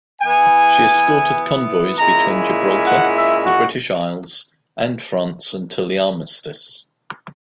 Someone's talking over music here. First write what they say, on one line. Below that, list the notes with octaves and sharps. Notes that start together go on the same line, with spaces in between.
She escorted convoys between Gibraltar, the British Isles, and France until the Armistice.
E3 B3 E4 G#5
A#2 G#3 C#4 E4 A#5
F#5
E5
F#4